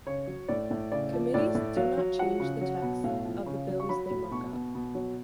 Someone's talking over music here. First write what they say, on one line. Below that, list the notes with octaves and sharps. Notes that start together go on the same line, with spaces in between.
Committees do not change the texts of the bills they mark up.
C#3 C#5
F#3
A2 D5
A2
C#3 D5
F3
A2 D5
A2
F#3 F5
F#3
F3 F#5
C#3
F#3
B2
A2 F5
F3
C#3
F#3
C#6
F#3 B5
A2
B2 C#6
B2
B2
F#3